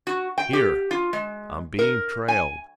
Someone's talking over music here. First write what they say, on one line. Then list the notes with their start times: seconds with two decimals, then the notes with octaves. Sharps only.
"Here, I'm being trailed."
0.07 F#4
0.38 G5
0.53 G4
0.91 F4
1.13 G#3
1.79 A#4
2.28 G#5